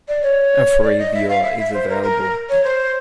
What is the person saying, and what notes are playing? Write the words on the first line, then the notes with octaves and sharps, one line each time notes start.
A free viewer is available.
D5
C#5
D5
D#5
E5
F5
E5
E5
C5
A#4
A#4
C#5
C5